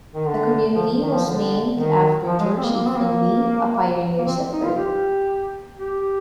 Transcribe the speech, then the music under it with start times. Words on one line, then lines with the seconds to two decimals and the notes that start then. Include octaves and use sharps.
The community was named after George E. Finley, a pioneer settler.
0.14 D#3
0.27 D3
0.76 F3
1.02 D#3
1.13 F3
1.26 D3
1.76 D#3
2.27 F3
2.40 G#3
2.58 C4
2.64 A#3
2.76 A#3
2.87 C4
2.96 A#3
4.18 A#3
4.26 C4
4.52 D#4
4.64 F4
4.77 G4
5.78 G4